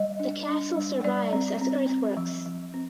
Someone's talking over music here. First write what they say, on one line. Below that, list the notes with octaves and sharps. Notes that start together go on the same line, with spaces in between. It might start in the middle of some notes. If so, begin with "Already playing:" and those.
The castle survives as earthworks.
Already playing: G3 D#5
D4
D4
G3
G3 D5
C4
C4
C4
F3
F3
C4